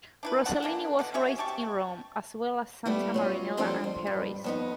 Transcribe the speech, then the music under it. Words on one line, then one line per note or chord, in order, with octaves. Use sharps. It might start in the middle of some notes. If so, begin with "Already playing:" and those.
Rossellini was raised in Rome, as well as in Santa Marinella and Paris.
D4 E4 B4
F3 D4 F#5
E3 A#3 D4
B2 D3 F#5
C#4 F#4 C#5 E5
C4 G4 A5 C#6
G3 A3 B3 E4
F#3 C#4 F4
F2 F3 G3 C4 D4 A4
F2
G2
F2 B3 D#4